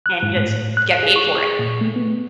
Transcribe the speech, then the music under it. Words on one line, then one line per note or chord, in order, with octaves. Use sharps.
And just get paid for it.
F#6
G#2
A2
F#6
G#4
C#6
G#4
A#2
A3
B3